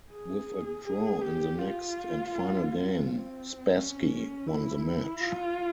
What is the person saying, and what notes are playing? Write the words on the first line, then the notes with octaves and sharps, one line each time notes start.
With a draw in the next and final game, Spassky won the match.
G#4
G#4
G4
F4
C4
C#4
E4
F4